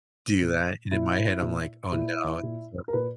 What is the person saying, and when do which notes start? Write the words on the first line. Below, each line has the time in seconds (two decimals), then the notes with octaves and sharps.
do that." And in my head, I'm like, "Oh, no," so
0.42 A#2
0.91 A#2 E4
1.42 A#2
1.92 A#2 E4
2.43 A#2
2.88 A#4
2.93 A#2 B4